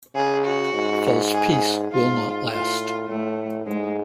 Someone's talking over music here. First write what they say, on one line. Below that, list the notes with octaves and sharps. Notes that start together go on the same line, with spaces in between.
False peace will not last.
C#3 G#4
F#4
G#2
G#4
G#2 F4
A2 F4
A2 A3
G#2 G#3